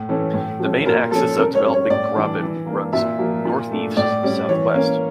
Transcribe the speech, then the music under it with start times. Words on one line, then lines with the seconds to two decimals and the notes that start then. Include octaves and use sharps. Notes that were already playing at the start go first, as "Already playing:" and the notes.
The main axis of the developing graben runs northeast-southwest.
Already playing: A2
0.09 E3 A3 C#4
0.34 A2
0.60 F3 A3 C#4
0.86 A#2 A#4
1.12 F3 C#4 A4
1.37 C#3 A#4
1.55 C#5
1.64 G3 C#4
1.73 C#5
1.90 A2 D5
2.16 E3 G3 D4
2.42 E3
2.67 A#3 D4
2.93 A#2 E5
3.19 F3 A#3
3.45 A#2
3.71 A3 D4
3.97 A2 D5
4.23 G3 C#4
4.49 E3 C#5
4.74 A#3 C#4